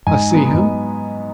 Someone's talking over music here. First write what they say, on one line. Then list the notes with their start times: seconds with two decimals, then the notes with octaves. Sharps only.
I see him!'
0.07 G#2 G#5
0.30 F#3 B3
0.54 G#2